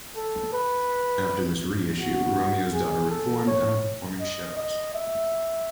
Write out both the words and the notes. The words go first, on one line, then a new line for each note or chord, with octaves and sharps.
After this reissue Romeo's Daughter reformed and are performing shows.
A4
B4
F#4
G#4
A4
C#5
D#5
D#5
E5